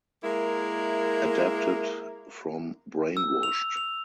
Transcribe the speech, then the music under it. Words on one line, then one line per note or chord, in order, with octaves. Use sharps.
Adapted from Brainwashed.
G#3 A#3 E4 A#4
E6
F7
F7